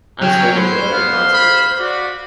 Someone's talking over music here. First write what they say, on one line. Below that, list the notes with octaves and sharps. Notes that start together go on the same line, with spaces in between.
I'm still gonna go to their concert."
F#3 C#4 G5
B4 C5
B3 F5
B5
F#4 D5